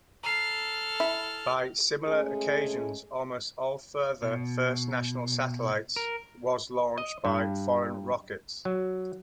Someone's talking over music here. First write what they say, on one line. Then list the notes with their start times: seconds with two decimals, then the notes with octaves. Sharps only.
By similar occasions, almost all further first national satellites was launched by foreign rockets.
0.24 A4 A#5 F6 C7
1.00 E4
2.06 G#3 A3 C#4 G#4
4.22 B2
5.96 A#4
6.98 D#5
7.25 G2
8.65 F#3